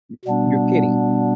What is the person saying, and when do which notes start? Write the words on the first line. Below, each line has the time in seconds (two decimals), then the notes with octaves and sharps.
M You're kidding?
0.25 B2 G3 B3 D4